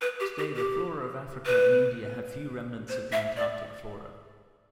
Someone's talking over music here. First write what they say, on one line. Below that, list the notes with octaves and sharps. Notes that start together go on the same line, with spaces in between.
Today, the flora of Africa and India have few remnants of the Antarctic flora.
B4
G4
G4
G4
B4
C5
E5
D5